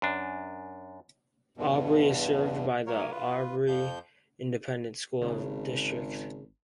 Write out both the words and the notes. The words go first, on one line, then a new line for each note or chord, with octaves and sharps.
Aubrey is served by the Aubrey Independent School District.
F#2 D4
E2 G2 B2
F#3 A#3 A#4 C#5
F4 B4
F2 F3 G6
G#1 C#3